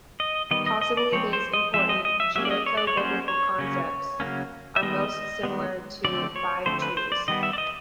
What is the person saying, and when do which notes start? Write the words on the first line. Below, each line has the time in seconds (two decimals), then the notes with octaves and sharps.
Possibly these important Judaico-Biblical concepts are most similar to "five trees".
0.20 D#5
0.51 D#3 G3 B3 D#5
0.66 D#5
0.81 D#5
0.97 D5
1.12 F3 G#3 C4 C#5
1.33 C5
1.54 D#5
1.74 F3 G#3 C4 E5
1.89 D#5
2.05 D#5
2.20 E5
2.35 F#3 A#3 C#4 E5
2.45 D5
2.51 D#5
2.66 C#5
2.77 D5
2.87 C#5
2.97 F#3 A#3 C#4 C5
3.28 C#5
3.59 C#3 F#3 A#3 C#4
4.20 C#3 F#3 A#3 C#4
4.76 E5
4.82 D#3 G#3 B3 D#5
5.43 D#3 G#3 B3
6.04 D3 F3 A3 C4 D5
6.36 C#5
6.66 D3 F3 A3 C4 C5
6.82 B4
6.97 C5
7.12 D5
7.28 D#3 G3 B3 D#5
7.43 E5
7.53 D5
7.58 D#5